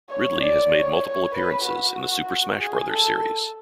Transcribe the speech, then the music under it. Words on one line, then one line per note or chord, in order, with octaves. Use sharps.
Ridley has made multiple appearances in the "Super Smash Brothers" series.
C#5
D5
C#5
C#5
B4
F#4
G#4
A4